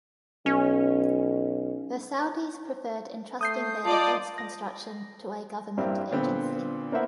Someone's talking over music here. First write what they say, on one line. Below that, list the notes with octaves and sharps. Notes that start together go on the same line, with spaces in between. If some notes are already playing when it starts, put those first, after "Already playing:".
The Saudis preferred entrusting their defence construction to a government agency.
B1 C#4
A3 D#6 G6 C7
F4 D5 D#5 A5
A#6
G2 G3 A#3 C4 E4
A#2 D3 B3 C4
A#3 B3 E4 C5 E5 F#5